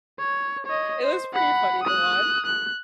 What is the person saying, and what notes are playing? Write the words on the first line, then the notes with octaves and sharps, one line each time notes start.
Iit was pretty funny to watch.
C#5
C#5 D#5
C5
F#5 B5
D#6 F#6
F#6